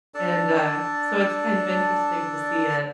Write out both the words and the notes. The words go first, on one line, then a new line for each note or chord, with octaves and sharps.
And, uh, so it's kind of interesting to see it.
D4 A4 D5 A5